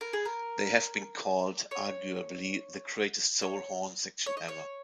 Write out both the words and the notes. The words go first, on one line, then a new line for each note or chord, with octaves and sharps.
They have been called arguably the greatest soul horn section ever.
A#4
G#4
A#4
C#5
C#5
C#5
D#5
C#5